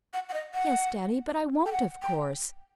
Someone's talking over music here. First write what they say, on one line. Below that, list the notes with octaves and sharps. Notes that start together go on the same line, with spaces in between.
"Yes, daddy; but I won't, of course."
F#5
F#5
D#5
F#5
G5
F#5
G5